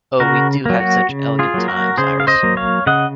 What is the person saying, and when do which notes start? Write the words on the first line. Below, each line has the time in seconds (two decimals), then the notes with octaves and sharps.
Oh, we do have such elegant times, Iris.
0.20 C#3 F#4 A#4
0.66 F#3 A#3
0.80 F#4
1.09 C#3
1.39 F4 G#4
1.54 F#3 A#3
1.68 F#4 A#4
1.98 C#3 G#4 C5
2.20 F5
2.27 C5 D#5
2.43 F#3 A#3
2.57 C#5 F5
2.86 C#3 D#5 F#5